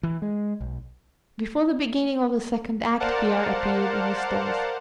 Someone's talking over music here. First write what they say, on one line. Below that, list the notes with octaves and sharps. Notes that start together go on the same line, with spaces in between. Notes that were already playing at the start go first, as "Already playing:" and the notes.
Before the beginning of the second act Pierre appeared in the stalls.
E3
G#3
B1
A#4 C5 D5 F5 F#5 A5